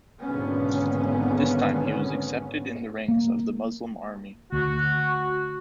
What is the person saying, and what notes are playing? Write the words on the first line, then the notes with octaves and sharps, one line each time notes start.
This time he was accepted in the ranks of the Muslim army.
G#1 B2 D3 A#3 B3 C#4
A#3
D2 F#4